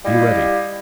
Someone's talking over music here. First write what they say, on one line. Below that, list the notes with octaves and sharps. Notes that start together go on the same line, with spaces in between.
Be ready.
G3 E4 G4 D#5 F5